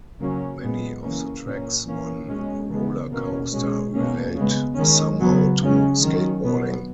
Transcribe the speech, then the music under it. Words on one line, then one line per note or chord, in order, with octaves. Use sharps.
Many of the tracks on "Roller Coaster" relate somehow to skateboarding.
C#3 F#3 A#3 C#4
A#2 G#3 B3
C#3 E3 A#3 C#4
A#2 A#3 C#4
E3 A#3 C#4
B2 G#3 C#4
C#3 E3 G#3 B3
B2 A#3 C#4
B2 G#3 C#4
B2 A#3 C#4
C#3 G#3 B3
D#3 G#3 C#4
C#3 F#3 B3
C#3 G#3 C#4
D#3 F#3 C#4
B2 F#3 B3